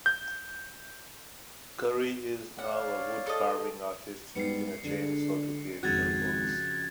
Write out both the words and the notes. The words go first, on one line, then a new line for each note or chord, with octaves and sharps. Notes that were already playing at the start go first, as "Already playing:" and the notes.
Currie is now a wood-carving artist using a chainsaw to create her works.
G6
C#5 D5 F5 F#5
A4 D#5
G#2 G3 B3 C7 C#7
D3 G#3 D4
G#1 F2 C#3 F#4 F#6 G#6 A6